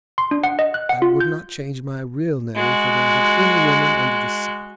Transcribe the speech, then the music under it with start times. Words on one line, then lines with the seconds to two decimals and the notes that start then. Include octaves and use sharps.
"I would not change my real name for that of any woman under the sun."
0.18 C6
0.31 D4
0.44 F#5
0.59 D#5
0.74 F#6
0.89 F#5
1.02 F4
1.20 G6
2.55 G#3 F#4